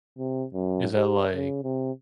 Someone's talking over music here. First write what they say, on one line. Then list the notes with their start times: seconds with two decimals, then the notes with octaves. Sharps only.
Is that, like,
0.18 C3
0.54 F#2
0.96 G4
1.33 C#3
1.63 C3